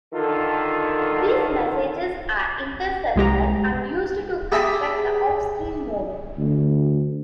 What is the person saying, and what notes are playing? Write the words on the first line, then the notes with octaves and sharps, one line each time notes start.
These messages are intercepted and used to construct the off-screen model.
D3 D#3 F4 A4
C2 G#3 G4 A#5
G4 G#4 E5 B5
D2